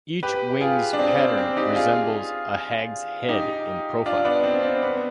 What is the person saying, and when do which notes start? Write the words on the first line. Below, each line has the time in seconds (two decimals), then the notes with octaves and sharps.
Each wing's pattern resembles a hag's head in profile.
0.23 G4 B4
0.61 F4 G#4
0.93 D4
0.99 C4
1.19 C4
1.37 C4
1.57 D#4 G4
1.76 F4 G#4
3.29 D#4 G4
4.06 D4 F4
4.25 B3 D4
4.44 C4
4.63 C4
4.82 B3